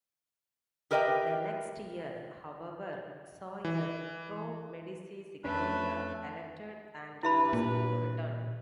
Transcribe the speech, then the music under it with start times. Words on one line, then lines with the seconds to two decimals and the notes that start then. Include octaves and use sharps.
The next year, however, saw a pro-Medici Signoria elected and Cosimo returned.
0.91 G4 A#4 B4 D#5 E5 G5
3.65 E3
5.44 F2 A3 C#4 D4 B4
7.23 G2 E4 B4 E5 B5
7.53 A#2